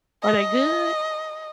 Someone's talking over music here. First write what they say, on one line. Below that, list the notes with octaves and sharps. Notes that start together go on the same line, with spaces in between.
Are they good?
D#5